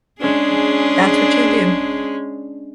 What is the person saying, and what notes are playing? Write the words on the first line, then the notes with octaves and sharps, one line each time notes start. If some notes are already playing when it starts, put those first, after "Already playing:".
That's what you do.
G#3 C#4 D4 G#4